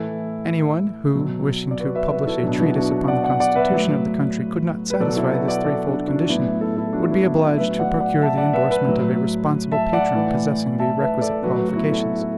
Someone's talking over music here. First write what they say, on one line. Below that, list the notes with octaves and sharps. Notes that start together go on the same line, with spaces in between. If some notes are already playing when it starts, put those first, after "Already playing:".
Any one who, wishing to publish a treatise upon the constitution of the country, could not satisfy this threefold condition, would be obliged to procure the endorsement of a responsible patron possessing the requisite qualifications.
Already playing: A2 E3 E4 A4
B2 F#3
D5
F#4 B4
B4 E5
F#4 B4
E4 A4
B2 F#3 D4
B3 E4
D4 F#4
D5 F#5
D5 F#5
D5 F#5
B4 E5
A2 F#3
B4
B2 F#3 A4 D5
F#4
E4 A4
F#4 B4
D5 F#5
A4 D5
D4
D4 F#4
A2 F#3 B3 E4
E4 A4
E4 A4
D4 F#4
B3 E4
B3
D4
A2 F#3 B4 E5
D5 F#5
D5 F#5
E5 A5
D5 F#5
B4 E5
B4 E5
A2 F#3
E5 A5
D5 F#5
A2 E3
E5 A5
B4 E5
A4 D5
A2 F#3 F#4 B4
F#4
B3 E4
E4 A4
A4